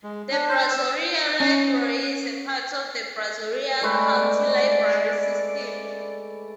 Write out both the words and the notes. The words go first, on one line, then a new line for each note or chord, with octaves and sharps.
The Brazoria Library is a part of the Brazoria County Library System.
G#3
D4
C5
E6
C#4
G#3 A3 B4 D5